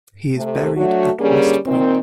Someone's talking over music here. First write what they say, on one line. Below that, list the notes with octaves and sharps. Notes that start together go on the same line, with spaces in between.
He is buried at West Point.
C3 A3
F#3 A3 D4 F#4
D3 G3 A#3 C#4 G#4
A#2 D#3 C4